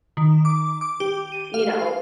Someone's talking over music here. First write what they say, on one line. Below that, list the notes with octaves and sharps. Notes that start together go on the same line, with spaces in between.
you know,
D#3
D6
D6
G4
D#7
F5